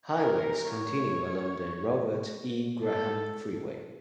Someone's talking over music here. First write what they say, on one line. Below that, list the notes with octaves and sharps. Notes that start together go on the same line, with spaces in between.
Highways continue along the Robert E. Graham Freeway.
A#4
C#5
A4